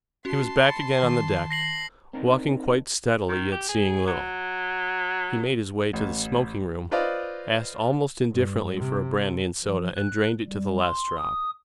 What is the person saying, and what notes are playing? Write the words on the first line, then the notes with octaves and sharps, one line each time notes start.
He was back again on the deck, walking quite steadily yet seeing little. He made his way to the smoking room, asked almost indifferently for a brandy and soda, and drained it to the last drop.
C#4 F#4 A5 C6
B5 A6 C#7
D#3
A#6 C7 F#7
C4 D4 D#4 A#4
D#3
G4
G#4
F#3
A1
F4 B4 C5 D5 D#5 F5
G2
C3
F3
F#6
G3
C6
D#6